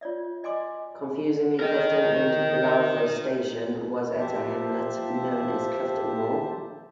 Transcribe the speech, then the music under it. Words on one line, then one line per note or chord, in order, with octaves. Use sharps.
Confusingly Clifton and Lowther Station was at a hamlet known as Clifton Moor.
F4 C#5 D5 E5
D5 D#5 G#5 C6 D6
A#4 D#5
F3 G4 C5 E5 A5